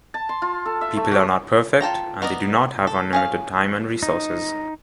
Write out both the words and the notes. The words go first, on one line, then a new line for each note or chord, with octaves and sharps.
People are not perfect, and they do not have unlimited time and resources.
A5
C6
F4
A4
E5
A3
F#4
F4 A4 G5 A#5
B3 A#4 D5 D#5
A4
C#4 G#4 F5
D#4